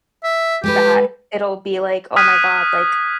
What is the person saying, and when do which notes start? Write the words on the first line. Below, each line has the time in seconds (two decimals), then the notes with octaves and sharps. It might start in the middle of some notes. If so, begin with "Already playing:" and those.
That it'll be like, "Oh my god," like,
0.24 E5
0.64 G#3 G4 A4 B4
2.16 D#6 F6 F#6 G#6 B6 D#7